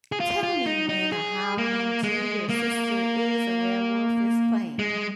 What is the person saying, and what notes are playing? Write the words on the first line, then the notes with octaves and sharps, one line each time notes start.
Tell me when Howling II: Your Sister Is a Werewolf is playing.
G#4
F4
F4
D#4
D#4
G#4
A#3
G#3
A#3
G#3